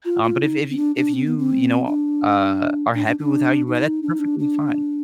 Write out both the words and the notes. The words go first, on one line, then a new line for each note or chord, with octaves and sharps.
um, but if if if you, you know, uh, are happy with how you are, that's perfectly fine.
F4
F4
D#4
C4
D4
D4
C4
B3
C4
D4
D4
D4
D4
D#4
D4
D#4
D4
D4